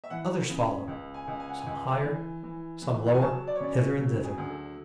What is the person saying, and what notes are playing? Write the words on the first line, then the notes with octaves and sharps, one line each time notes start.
Others follow, some higher, some lower, hither and thither.
E5
E3 F#5
C#3
C#2
G#5
C#2
G#5
F#5
G#5
C#2
E3
E3
E3
F#5
G#5
F#3 A5
D5
C#5
C#3 D5
C#5
F#3
G#4
D2
A4